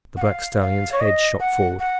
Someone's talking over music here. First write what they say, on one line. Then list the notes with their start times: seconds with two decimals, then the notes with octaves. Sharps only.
The black stallion's head shot forward.
0.16 F#5
0.21 F5
0.61 F5
0.92 C#5
1.00 D#5
1.39 F#5
1.79 F#5